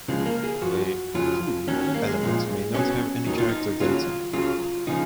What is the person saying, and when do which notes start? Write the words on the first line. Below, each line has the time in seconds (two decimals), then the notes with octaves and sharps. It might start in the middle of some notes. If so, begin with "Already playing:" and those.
A "foo" element may not have any character data.
0.08 C#2 C#3 F3 G#3
0.26 A#3
0.44 G#4
0.62 F#2 F3 F#4
1.14 F2 C#3 F#3 F4
1.67 D#2 D#3 F#3 C#4
1.81 C#4
1.94 A#3
2.08 G#3
2.21 B1 A#2 F3
2.74 B1 B2 F#3 C#4
3.27 D#2 D#3 F#3 D#4
3.38 F4
3.48 D#4
3.80 D#2 C#3 F#3 F4
4.33 C#2 C#3 F#3 F4
4.87 C#3 F3 D#4